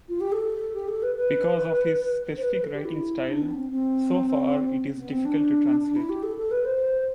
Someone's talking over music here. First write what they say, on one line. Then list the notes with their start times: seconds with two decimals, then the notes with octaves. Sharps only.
Because of his specific writing style, so far, it is difficult to translate.
0.09 F4
0.21 G4
0.32 A4
0.74 G4
0.89 A4
1.03 B4
1.16 B4
2.37 C5
2.42 B4
2.53 B4
2.63 A4
2.75 G4
2.85 E4
3.28 D4
3.42 B3
3.51 D4
3.55 C4
3.70 C4
4.96 B3
5.11 C4
5.25 D4
5.81 D4
5.96 E4
6.09 G4
6.23 A4
6.37 A4
6.51 B4
6.65 C5